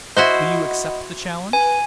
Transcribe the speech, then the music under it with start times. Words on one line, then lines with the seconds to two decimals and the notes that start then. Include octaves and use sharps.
Do you accept the challenge?
0.17 E4 F#4 C5 D#5 F#5 B5
1.53 B4 G#5